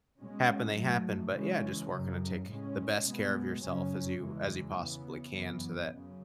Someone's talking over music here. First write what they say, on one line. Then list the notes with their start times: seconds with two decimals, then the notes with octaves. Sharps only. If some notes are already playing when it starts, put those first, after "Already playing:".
happen, they happen, but yeah, just working to take the best care of yourself as you as you possibly can so that
0.19 B2 G#3 C#4
0.76 G#2 F#3 A3
1.33 C#3 E3 G#3 C#4
1.90 F#2 C#3 F#3
2.47 A2 G#3 C#4
3.05 B2 G#3 B3
3.62 F#2 C#3 F#3 C#4
4.19 E2 C#3 E3 G#3
4.77 C#3 E3 B3
5.34 F#2 E3 B3
5.92 F#2 C#3